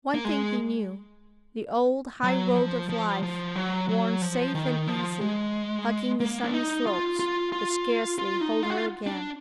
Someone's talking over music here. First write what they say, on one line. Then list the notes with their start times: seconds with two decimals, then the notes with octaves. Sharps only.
One thing he knew: the old highroad of life, worn safe and easy, hugging the sunny slopes, would scarcely hold her again.
0.14 A#3
0.25 G#3
2.23 F#3
2.56 F3
2.89 F3
3.23 F3
3.55 F#3
3.89 F#3
4.22 F3
4.55 D#3
4.88 F3
5.21 G#3
6.20 A#3
6.43 D4
6.53 D#4
6.86 F4
7.19 F4
7.52 F4
8.18 F4
8.41 D#4
8.63 F4
8.70 F#4
8.78 F4
9.07 D4